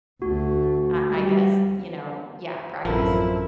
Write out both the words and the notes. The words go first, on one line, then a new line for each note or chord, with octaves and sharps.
ah I guess, you know, yeah, practice
D2 A3 F#4
G3
A1 F#2 F3 C4 E4 A4 A#4